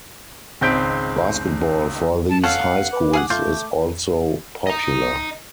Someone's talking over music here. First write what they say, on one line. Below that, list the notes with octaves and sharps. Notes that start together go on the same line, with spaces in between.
Basketball for these high schools is also popular.
G#1 C#2 C4 G6 B6 D7
A5
C#4 A4 F5 F#5
B4 D6
G#4 F5 F#5
A3 F4 G6
D#5 A#5